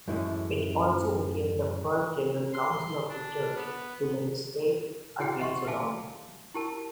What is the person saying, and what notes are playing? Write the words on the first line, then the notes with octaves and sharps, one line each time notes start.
It also became the first general Council of the Church to legislate against sodomy.
F#2 A2 E3 G#3 A3 C#4
C6
D4
B3
E4 F#4 G#4 F#5 G5
D#5 E5 F#5 C6 C#6
E5 F5 G#5 A5 D6
E4 G4 A#4 A5